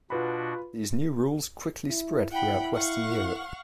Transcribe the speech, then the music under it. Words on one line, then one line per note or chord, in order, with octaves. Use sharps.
These new rules quickly spread throughout western Europe.
B2 D4 F4 F#4 B4 B5
E4
E4 F#5 G5 B5
F5 F#5 C#6